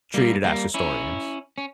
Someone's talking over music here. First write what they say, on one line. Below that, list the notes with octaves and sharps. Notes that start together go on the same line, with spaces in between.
treated as historians.
G3 A#3
G3 A#3
C#4 E4
C#4